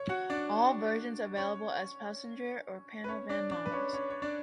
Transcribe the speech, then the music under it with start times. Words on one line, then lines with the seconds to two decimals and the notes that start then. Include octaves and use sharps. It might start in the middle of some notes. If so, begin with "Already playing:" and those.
All versions available as passenger or panel van models.
Already playing: C#5 C#6
0.09 F#4 F#5
0.30 D4 D5
1.37 C#4 C#5
3.04 B4
3.08 C#4 C#5
3.29 D4 D5
3.51 D4 D5
3.66 B4
3.72 C#4 C#5
3.93 C#4 C#5
4.10 C#5
4.22 D4 D5